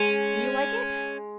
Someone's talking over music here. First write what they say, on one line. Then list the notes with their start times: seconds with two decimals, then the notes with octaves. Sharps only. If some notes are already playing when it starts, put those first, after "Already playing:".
Do you like it?'
Already playing: G#3 C#4